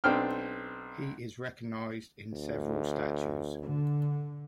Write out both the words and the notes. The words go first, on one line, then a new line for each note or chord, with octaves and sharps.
He is recognized in several statues.
B1 C4 D4 G5 F6
D2
D3